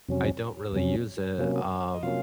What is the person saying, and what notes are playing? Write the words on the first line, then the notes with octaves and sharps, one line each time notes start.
I don't really use it, um,
F2 C3 F#3 C#4
F2 C3 F#3 C#4
C3 F#3 A#3 C#4
D#5
C3 F#3 A#3 C#4 F4 F5